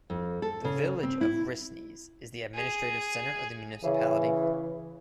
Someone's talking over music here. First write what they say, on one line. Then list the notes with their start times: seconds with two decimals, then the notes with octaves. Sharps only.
The village of Rhisnes is the administrative centre of the municipality.
0.10 F2
0.42 A4
0.65 C#3
1.03 C4
1.21 E4
2.54 G#4
3.84 C#3 E3